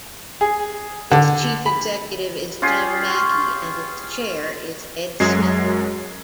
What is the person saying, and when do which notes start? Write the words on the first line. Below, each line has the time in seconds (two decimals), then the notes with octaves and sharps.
Its chief executive is Jim Mackey and its Chair is Ed Smith.
0.41 G#4
1.12 D3
1.66 B5
2.62 C#4 F4 G4 G#4
5.20 F#2 F#3 G#3 G#6 C7